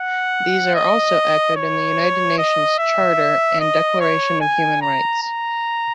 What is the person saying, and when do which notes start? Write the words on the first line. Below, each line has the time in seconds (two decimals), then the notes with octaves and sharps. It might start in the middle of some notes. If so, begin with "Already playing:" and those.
These are also echoed in the United Nations Charter and Declaration of Human Rights.
Already playing: F#5
0.75 D#5
1.56 C#5
2.38 D#5
2.79 E5
3.60 D#5
4.00 C#5
4.41 G#5
4.81 A#5
5.22 A#5